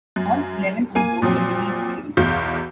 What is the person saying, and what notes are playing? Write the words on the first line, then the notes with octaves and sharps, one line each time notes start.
All eleven on board were believed killed.
F#2
A#3 G#5 D#7
A#2 F3 F#3 C4
B1 E2 F5 G6